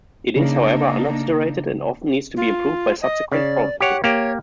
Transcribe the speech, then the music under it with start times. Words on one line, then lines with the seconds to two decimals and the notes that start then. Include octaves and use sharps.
It is, however, under-saturated, and often needs to be improved by subsequent processing.
0.36 C#3 A#3 D4 D#4
2.36 F4
3.02 D#5
3.32 C#3 D5
3.80 G4 C#5 F#5
4.04 A#3 G4 C#5